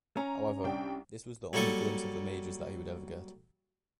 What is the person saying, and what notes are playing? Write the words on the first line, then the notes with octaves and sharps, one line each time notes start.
However, this was the only glimpse of the majors that he would ever get.
C#4 A#5
C2 D4 G5
F#3 G3 A#3 A4 C#6 D#6